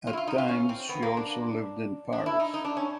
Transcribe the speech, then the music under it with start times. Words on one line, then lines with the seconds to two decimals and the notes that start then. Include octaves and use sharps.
At times she also lived in Paris.
0.07 F4
0.13 E4
0.17 F4
0.27 D#4
0.38 F4
0.49 C#4
0.69 C4
0.89 B3
1.03 A#3
1.17 D4
2.13 D4
2.26 E4
2.40 D#4
2.54 D#4
2.65 D4
2.77 C#4